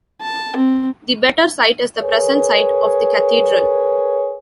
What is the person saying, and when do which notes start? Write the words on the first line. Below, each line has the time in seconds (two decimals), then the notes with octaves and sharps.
The "better site" is the present site of the Cathedral.
0.21 A5
0.56 C4
1.99 G#4 A#4 B4 C#5